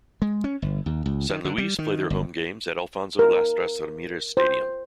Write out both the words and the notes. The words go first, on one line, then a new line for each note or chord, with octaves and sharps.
San Luis play their home games at Alfonso Lastras Ramirez Stadium.
G#3
C#4
G1
D#2
C#2
D#3
D3
G3
D#3
G1
A#4
C5